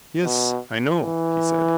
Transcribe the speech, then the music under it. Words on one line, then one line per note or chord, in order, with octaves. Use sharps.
Yes, I know, he said.
B2
E3